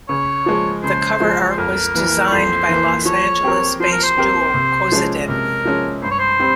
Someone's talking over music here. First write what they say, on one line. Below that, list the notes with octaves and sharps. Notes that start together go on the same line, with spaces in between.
The cover art was designed by Los Angeles-based duo kozyndan.
C#3 C#5
F3 G#3
C#3 C5
F3 G#3
C#5
C5
F2 A#4
E3 A#3
C#5
F2 C5
E3 A#3
F3 C#5
C4 G4 A#4
F3 C5
A#4
C5
C4 G4 A#4
C3
F3 G#3 C#4
C3 A#4
F3 G#3 C#4
G2 C5
C#5
C5
G3 C4